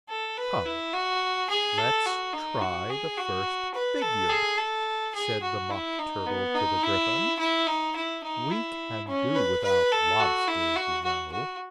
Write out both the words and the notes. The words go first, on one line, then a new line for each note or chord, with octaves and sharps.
'Come, let's try the first figure!' said the Mock Turtle to the Gryphon. 'We can do without lobsters, you know.
A4
B4
E4
F#4
G#4
A4
F#4
D#4
F#4
G#4
F#4
B4
A4
G#4
A4
G#4
F#4
E4
D#4
B3
D#4
E4
E4
D#4
E4
D#4
E4
C#4
B4
B4
A4
F#4
E4
F#4
F#4
F#4